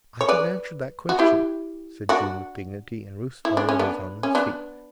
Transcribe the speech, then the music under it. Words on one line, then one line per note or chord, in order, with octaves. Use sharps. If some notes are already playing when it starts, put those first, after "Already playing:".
"I have answered that question," said June with dignity and Rufe's lawyer was on his feet.
C#5
B4 D5
F#4
E4 G4
D4 F#4
E4
D4
C#4
B3 D4
C#4
B3 D4